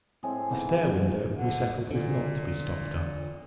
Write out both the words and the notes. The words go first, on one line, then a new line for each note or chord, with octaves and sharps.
The stair window, we settled, was not to be stopped up.
A2 G#3 C4 G#4
B2 E3 D#4
D3
A#2 D3